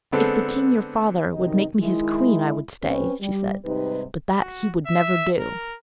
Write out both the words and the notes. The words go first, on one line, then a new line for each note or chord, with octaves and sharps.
'If the king, your father, would make me his queen I would stay,' she said; 'but that he would never do.'
D3 G#3 B3 C4 D4 A4
F#2 C3 D#3 D#4
D#3 G#3 E4
C4 C#4 B4
G3
G#2 C3 G3 D#4 B4
F#4
E5
A#4